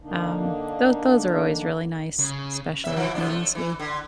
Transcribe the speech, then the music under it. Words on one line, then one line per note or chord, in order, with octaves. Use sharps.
um, tho those are always really nice, special evenings. We
D3 A#3 D4 D#4
C#3
C3 E5
E3 F3
F2 C3 D4
A3
E3
D3